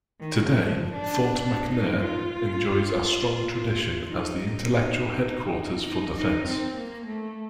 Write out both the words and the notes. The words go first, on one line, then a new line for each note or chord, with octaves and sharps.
Today, Fort McNair enjoys a strong tradition as the intellectual headquarters for defense.
D#3
F3
D4
D4
D#4
F4
D#4
D#4
D#4
C4
A#3
A3